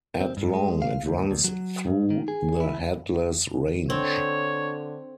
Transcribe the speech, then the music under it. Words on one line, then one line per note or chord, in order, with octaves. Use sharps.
At long, it runs through the Headless Range.
C4
G2
G#3
F5
D2
D2
F#3
G#2
D#3
G#4
E4
D3 C4 C#5